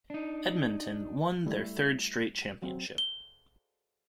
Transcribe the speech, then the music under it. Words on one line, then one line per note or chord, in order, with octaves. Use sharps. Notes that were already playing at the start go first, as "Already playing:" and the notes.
Edmonton won their third-straight championship.
D4 D#4
G3 A3 E4
F#3 C4
G7